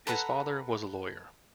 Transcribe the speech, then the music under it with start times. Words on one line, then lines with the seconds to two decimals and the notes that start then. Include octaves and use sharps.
His father was a lawyer.
0.07 A4 B4 F#5 A#5